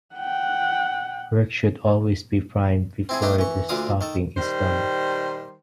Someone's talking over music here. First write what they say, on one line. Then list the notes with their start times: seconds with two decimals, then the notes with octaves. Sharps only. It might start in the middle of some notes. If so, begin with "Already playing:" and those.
Work should always be primed before the stopping is done.
0.15 F#5 G5
3.09 C4 E4 G#4
3.22 A3 D4 D#4 G4
3.39 E3 C#6
3.69 D2 A#2 D3 F5 D6 D#6
4.01 D#3 A4
4.37 D#3 G3 C5